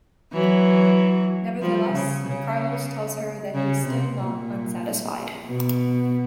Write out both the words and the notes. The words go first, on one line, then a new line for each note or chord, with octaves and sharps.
Nevertheless, Carlos tells her that he still is not unsatisfied.
E3 F#3
F3 G3
C#3
C#3
C#3
C3
A#2
B2